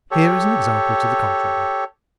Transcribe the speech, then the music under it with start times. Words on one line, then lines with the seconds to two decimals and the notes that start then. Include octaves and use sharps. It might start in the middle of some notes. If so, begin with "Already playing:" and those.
Here is an example to the contrary.
0.11 G4 A4 C#5